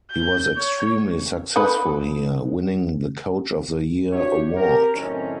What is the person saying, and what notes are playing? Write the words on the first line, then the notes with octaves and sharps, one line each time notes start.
He was extremely successful here, winning the "Coach of the Year" award.
G6
C#5
D#4 A4 B4
D4 E4 F#4 G4 C#5
C4 G4 A#4
F#2 A2 D#3 C4 C#4